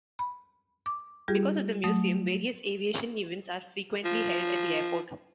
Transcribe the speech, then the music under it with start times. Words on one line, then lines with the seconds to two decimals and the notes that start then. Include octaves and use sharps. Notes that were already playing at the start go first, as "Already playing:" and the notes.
Because of the museum, various aviation events are frequently held at the airport.
0.19 B5
0.86 D6
1.28 G3 F4 G4 G#4
1.84 F#3 A3 D#6
4.05 F3